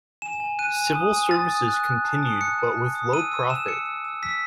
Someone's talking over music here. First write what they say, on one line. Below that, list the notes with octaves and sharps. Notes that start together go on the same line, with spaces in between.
Civil services continued but with low profit.
G#5 E7
G#5
F#6 D#7
G#5
D#6
G#5
D#6 A6
D#6
F#6
F#6
A5
D#6
F#6 C#7
A5
F#6
D#6
E6 D#7
E6
E6 E7
E6 C#7
E6
E6
E6 B6